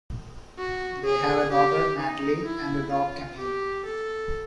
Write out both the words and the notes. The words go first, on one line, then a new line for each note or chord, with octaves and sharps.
They have a daughter, Natalie, and a dog, Camille.
F#4
G#4
G4
D#4
E4
F4
G4
A4